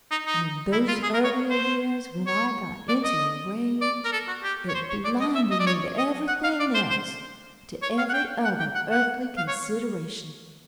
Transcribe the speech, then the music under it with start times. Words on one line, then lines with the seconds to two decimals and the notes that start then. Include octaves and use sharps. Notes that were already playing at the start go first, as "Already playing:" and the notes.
And in those earlier years, when I got into a rage, it blinded me to everything else, to every other earthly consideration.
0.11 D#4
0.26 D#4
0.72 E4
0.88 F4
1.03 G#4
1.14 A#4
1.24 C#5
1.50 C5
2.27 C#5
2.88 D5
3.04 D#5
3.81 D5
4.05 A#4
4.13 A4
4.28 F#4
4.43 G4
4.69 C#5
4.75 C5
4.90 C#5
5.05 D5
5.20 D#5
5.35 E5
5.51 D#5
5.60 D5
5.66 C#5
5.98 D#5
6.28 F#5
6.44 F5
6.60 D5
6.75 C5
6.90 C5
7.83 C#5
7.98 F5
8.09 F#5
8.14 G5
8.44 F#5
8.60 G5
8.75 F#5
8.91 F#5
9.37 F5
9.48 C#5